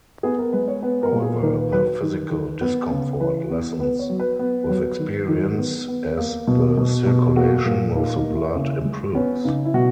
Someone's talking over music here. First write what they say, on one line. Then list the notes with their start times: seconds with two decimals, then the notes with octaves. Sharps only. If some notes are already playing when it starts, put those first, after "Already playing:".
However, the physical discomfort lessens with experience as the circulation of the blood improves.
0.23 B3 G#4
0.39 A#4
0.53 G#3 B4
0.68 C#5
0.83 B3 B4
1.03 A#4
1.13 A#2
1.22 G#4
1.42 D#3 A#4
1.57 B4
1.72 F#3 B4
1.87 B4
2.02 D#3
2.31 D#3
2.61 B3
2.91 C#3
3.20 E3 B4
3.50 B3
3.80 B3 B4
3.99 C#5
4.10 F#3
4.19 B4
4.39 B3
4.69 F#3
4.99 D#3
5.28 D#3
5.58 B3
5.88 B3
6.18 A#3
6.47 B2
6.77 B2
7.06 B2
7.36 A#3 F#4
7.66 A#2
7.95 A#3 D#4
8.16 D#4
8.25 A#3
8.35 E4
8.55 C#3
8.85 G#3
9.15 B3 C#4
9.44 C#3 D#4
9.65 E4
9.74 B2 F#4